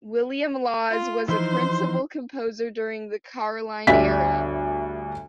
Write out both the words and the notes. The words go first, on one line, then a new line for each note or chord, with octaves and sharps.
William Lawes was a principal composer during the Caroline era.
F4
E3 F3 D#4 C5 C6
G1 D2 D4 G4 E5 B6